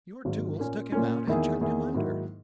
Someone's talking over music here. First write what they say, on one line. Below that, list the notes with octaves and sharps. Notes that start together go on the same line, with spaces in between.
Your tools took him out and chucked him under.
G#1 G#2 F#3
A#2 A#3 C#4
A#2 A#3 C#4
E2 D#3 A#3 E4 G#4
E2 D#3 A#3 E4 G#4
G#2 D#3 F#3 A#3 E4